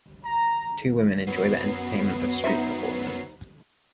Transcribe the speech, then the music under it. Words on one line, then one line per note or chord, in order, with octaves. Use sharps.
Two women enjoy the entertainment of street performers.
A#5
F#2 F#3 B3 C7
D#4 C5 E5